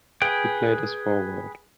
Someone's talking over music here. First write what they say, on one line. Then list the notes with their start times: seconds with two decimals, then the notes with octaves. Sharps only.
He played as forward.
0.22 G#4 B4 G5